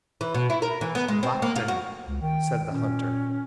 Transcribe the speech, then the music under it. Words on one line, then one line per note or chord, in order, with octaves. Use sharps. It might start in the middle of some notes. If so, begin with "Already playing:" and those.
"Vatten," said the hunter.
E3
B2
E4
A#4
E3
B3
G#3
C4
A#3
F4
F#4
C#2
D#3 G5
A#2 C#4